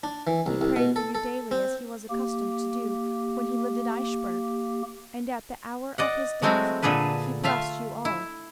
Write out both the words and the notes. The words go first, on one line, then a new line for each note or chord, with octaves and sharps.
He prayed for you daily, as he was accustomed to do when he lived at Eichbourg, and at the hour of his death he blessed you all.
D4
E3
C2
C2
B2
A4
A4
C4
A#3 G4
D5 D#5 F#5
F#3 G#3 A3 C4 E4 F#4
A#2 D3 G#4 A4 B4
A3 F4 E5 F5
E4